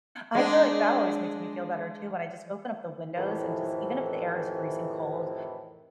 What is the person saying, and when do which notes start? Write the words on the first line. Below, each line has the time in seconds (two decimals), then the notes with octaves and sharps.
I feel like that always makes me feel better too when I just open up the windows and just even if the air is freezing cold,
0.35 G#3 D4
3.16 F2 A2 C3 D#3 E3